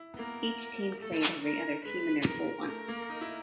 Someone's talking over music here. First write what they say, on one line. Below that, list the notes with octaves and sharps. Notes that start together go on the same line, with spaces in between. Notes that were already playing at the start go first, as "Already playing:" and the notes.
Each team played every other team in their pool once.
Already playing: E4
B3
A#3 A#4
A3 A4
A#4
G#3 B4
A#4
A3 A#4
A#3
D#4
E4